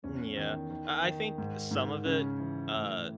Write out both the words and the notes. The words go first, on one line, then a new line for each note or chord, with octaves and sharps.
Mm, yeah. I I think some of it, uh,
E2 C#4
D#3
D#3
D#3
G#2
G#2
C#3 C#4
E3
A2